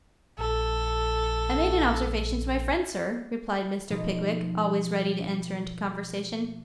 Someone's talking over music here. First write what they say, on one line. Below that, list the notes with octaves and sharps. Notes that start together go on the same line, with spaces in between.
'I made an observation to my friend, sir,' replied Mr. Pickwick, always ready to enter into conversation.
A#1 A4
B2 F3 D#4